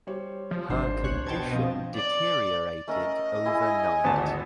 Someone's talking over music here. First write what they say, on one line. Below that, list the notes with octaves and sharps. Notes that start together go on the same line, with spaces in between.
Her condition deteriorated overnight.
G3 C5 C#5
F3
G#1 D4 C5
C2 C#5 F#6
B2 G5 A5 G#6
F3 C4 D#5
D5
A3 C#4 A#4 D#5
E4 G#4 G#5
G#1 D2 B3 A5